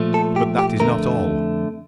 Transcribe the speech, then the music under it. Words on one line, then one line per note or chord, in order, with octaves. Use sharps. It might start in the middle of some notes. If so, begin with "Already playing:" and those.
But that is not all.
Already playing: A#2 F3 A3
A4
G4
G4
F2 D3 A3 A#4